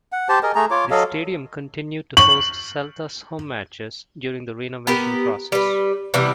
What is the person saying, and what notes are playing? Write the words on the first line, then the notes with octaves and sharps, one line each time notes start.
The stadium continued to host Celta's home matches during the renovation process.
F#5
G4 C5 A5
G#4 A#4 D#5
A3 G#4 A#5
F4 C#5 D6
F#3 A4 D#5 F5
C#6 F#7
B3 G4 A#4
G3 B4
C3 E3 G3 B3